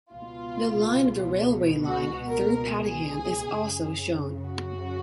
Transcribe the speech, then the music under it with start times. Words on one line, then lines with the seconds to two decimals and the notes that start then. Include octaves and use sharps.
The line of the railway line through Padiham is also shown.
0.12 C#2 B2 F4
1.85 F#4
2.29 A#4
2.72 G#4
3.59 F#2 C#3
4.46 F#4